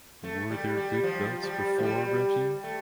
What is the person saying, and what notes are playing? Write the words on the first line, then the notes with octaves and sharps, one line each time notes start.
Were there good belts before Reggie?
A3
G3
G3
F3
G3
F3
G3
A3